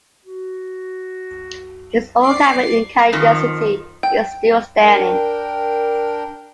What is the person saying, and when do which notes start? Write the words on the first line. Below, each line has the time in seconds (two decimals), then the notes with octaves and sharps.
His old cabin in Canyon City is still standing.
0.25 F#4
2.23 D5 D6 C7
3.12 F2 D#3 F3
4.03 G5
4.82 D4 A#4 G5